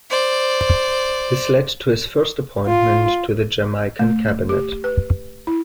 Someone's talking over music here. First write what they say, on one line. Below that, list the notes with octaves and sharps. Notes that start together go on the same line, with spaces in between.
This led to his first appointment to the Jamaican Cabinet.
C5 D5
F4
A3
G4
B4
E4